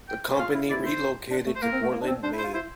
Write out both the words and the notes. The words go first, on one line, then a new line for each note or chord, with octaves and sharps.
The company relocated to Portland, Maine.
G5
F4 F5
E4
E4 D5
C5
D4
A3
C5
A#3 A#4
C4
A3
A#3
D4
C4
D4 C5
E4
C5
F4
E4 C5